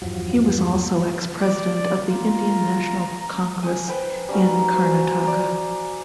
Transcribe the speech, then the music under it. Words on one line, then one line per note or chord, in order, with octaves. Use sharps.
He was also ex-president of the Indian National Congress in Karnataka.
E2 G2 F3 F#3
D5
F4 A#5
G#5
B4 C5 G5
G3 C#4 D#4 F#4
F#4 C5 G#5
D5 A#5